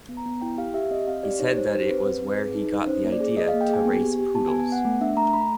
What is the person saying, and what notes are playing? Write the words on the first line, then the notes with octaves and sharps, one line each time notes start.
He said that was where he got the idea to race poodles.
B3
A#5
B3
E4 G5
G4 F5
G4 E5
C4 D#5
C4 F5
G4 D5
D#4 C#5
D#4 C5
G4 C5
C4 B4
C4
C4
G#4
D#4
D#4
C#4 C5
A#3
D5
G#4
G#4 D#5
F5
A#3
G5
G#4 G#5
B3
G4
G4
B3 A5
G#5
B3
G#5
B3 F#5
A3
D4 E5
A3 A#5
A3 B5